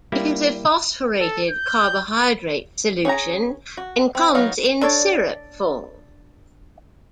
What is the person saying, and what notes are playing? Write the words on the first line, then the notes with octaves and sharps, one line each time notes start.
It is a phosphorated carbohydrate solution, and comes in syrup form.
G3 A#3 E4
A4
G6
C#4 G#4 F#5 A#5
F#4
C4
F#3 B3 D#4 F#4 F5
D4 A4 C#5 D5